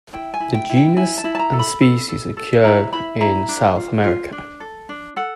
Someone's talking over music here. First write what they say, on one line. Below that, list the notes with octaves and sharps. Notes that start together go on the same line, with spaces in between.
The genus and species occurs in South America.
E4 G5
G#5
E4
G5
E4
G5
E4 G#5
A5
E4
A5
A#5
A4
B5
A4
A4
A4
E4 A#5
E4 B5
E4 A#5
D4
F4
F4
D4
A4
D4
A4 F#5